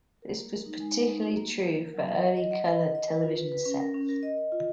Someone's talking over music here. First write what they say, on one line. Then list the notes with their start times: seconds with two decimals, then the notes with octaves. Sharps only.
This was particularly true for early color television sets.
0.22 A#4
0.37 A#3
0.52 A#4
0.66 D#4
0.80 G#3
0.93 G#3
1.08 D#4
1.22 F#4
1.36 A#3
1.51 A#3
1.65 A#4
1.80 A#4
1.94 F#3
2.08 D#5
2.23 F#3
2.37 D#5
2.51 F#5
2.66 D#5
2.81 F#5
2.95 D#5
3.08 B4
3.23 F4
3.37 B4
3.52 B4
3.65 C#4
3.80 A#4
3.94 C#4
4.09 A#4
4.23 D#5
4.38 D#5
4.52 F4